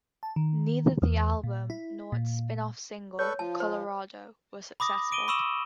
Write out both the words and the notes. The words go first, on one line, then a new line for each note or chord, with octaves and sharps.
Neither the album nor its spin-off single "Colorado" were successful.
A5
D#3
E2
A#2
E4
A#2
A4 B4 C#5 D5 C#6
F3 F4 A5
C5
B5 D6 D#6 A#6
D6 D7 D#7 G7
B5 C#6 D#6 E6 E7 F#7